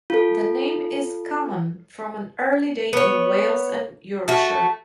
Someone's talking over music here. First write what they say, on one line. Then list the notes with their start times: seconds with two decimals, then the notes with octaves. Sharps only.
The name is common from an early date in Wales and Yorkshire.
0.10 F4 A4
2.93 B3 C#5
4.28 A3 F#4